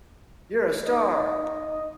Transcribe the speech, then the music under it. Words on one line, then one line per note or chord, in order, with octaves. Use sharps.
You're a Star!.
D#4 D#5